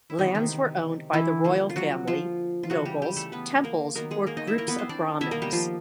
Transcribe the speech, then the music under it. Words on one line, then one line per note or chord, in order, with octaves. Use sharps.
Lands were owned by the royal family, nobles, temples or groups of Brahmans.
E4
C3 D#3 E3 G#3 B3 D#4
D#3 D#4
E3 E4
D3 F3 A#3
F4
F#3 F#4
F3 F4
F4
C#3 E3 F#3 G3 F#4
G3 G4
G3 G4
A3 A4
B3 B4
A#3 A#4
D#3 F#3 A#3 B3 A#4
G#3 G#4
A#3 A#4
D#4 D#5
E4 E5
A#3 A#4
B3 B4
C4 C5
D4 D5
D#3 G3 B3 E4 E5
A#3 A#4
G3 G4
F3 F4